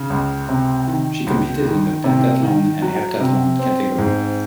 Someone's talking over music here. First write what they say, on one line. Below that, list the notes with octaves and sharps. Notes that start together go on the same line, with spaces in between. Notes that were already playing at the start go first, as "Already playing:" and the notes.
She competed in the pentathlon and heptathlon category.
Already playing: C#3
C#2
C3
D#3
C#2
D#3
C3
D#3
F#3
C3
C4
G#2